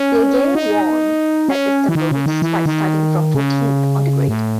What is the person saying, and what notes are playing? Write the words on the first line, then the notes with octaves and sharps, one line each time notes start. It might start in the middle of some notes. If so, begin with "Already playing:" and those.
He again won at Istanbul, despite starting from fourteenth on the grid.
Already playing: C#4
D#4
C#4
E3
D#3
C#3
D#3
E3
D#3
C#3
A2